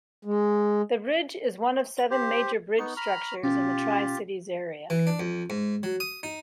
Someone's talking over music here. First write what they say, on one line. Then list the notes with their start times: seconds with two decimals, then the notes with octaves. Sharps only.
The bridge is one of seven major bridge structures in the Tri-Cities area.
0.25 G#3
2.11 G4 C5
2.79 B3 D#4 C#6
2.97 A#5 B5 F6
3.43 B2 C#4 F4 G4
4.90 E3
5.07 D4
5.20 F2
5.50 G#2
5.83 F#3
6.00 D#6
6.23 D#4